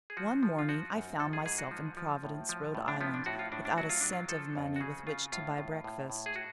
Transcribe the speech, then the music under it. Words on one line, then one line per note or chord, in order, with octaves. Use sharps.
One morning I found myself in Providence, Rhode Island, without a cent of money with which to buy breakfast.
G#4
F3 F#4
F3
F4
F3 F#4
F#2
F3 A4
G#4
G#2 G#4
F#4
F3
F3
A2
F3
A2
D4
F3 B3
D4
A2 F#4
F4
A2 D4
D4
F#3 F#4
F4
F#3 D4
F4
F3 A4
F2
F#4
C#3 G#4
C#3 F4
A2 F4
A2
A2
A2
G#4
F#4